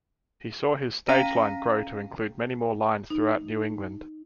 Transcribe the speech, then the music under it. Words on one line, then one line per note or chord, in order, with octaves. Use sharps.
He saw his stage line grow to include many more lines throughout New England.
C#4 F5 G5 A#5 A#6 D#7
D#4